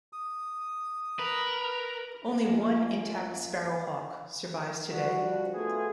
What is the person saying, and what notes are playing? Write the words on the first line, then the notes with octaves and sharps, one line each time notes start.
Only one intact Sparrowhawk survives today.
D#6
A#4 B4
F#2 F3 A#3 F5 A5
F3 G3 D4 F#4
A3 B3 F4 F#4 G#4